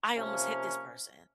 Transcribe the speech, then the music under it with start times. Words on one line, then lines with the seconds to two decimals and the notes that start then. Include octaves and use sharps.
"I almost hit this person."
0.16 C3 F3 A#3 C#4